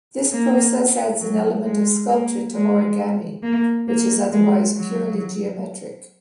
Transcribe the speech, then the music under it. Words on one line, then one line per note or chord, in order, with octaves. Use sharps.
This process adds an element of sculpture to origami, which is otherwise purely geometric.
A#3
F#3
G#3
A#3
G#3
A#3
A#3
G#3
F#3